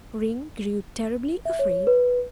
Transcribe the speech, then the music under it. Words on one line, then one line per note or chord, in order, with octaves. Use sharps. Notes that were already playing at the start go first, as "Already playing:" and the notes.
Ring grew terribly afraid.
E5
C#5
B4